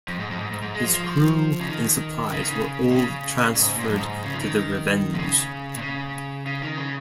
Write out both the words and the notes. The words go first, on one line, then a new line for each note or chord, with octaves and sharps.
His crew and supplies were all transferred to the "Revenge".
F2
G#2
F2
G#2
G#2
G#2
G#3
F3
F3
F3
C#3
D#3
C#3
D#3
C#3
A#2
C#3
A#2
G#2
A#2
G#2
F2
G#2
C#3
F3
D#3
A#2
C#3
A#2
C#3
C#3
D#3
C#3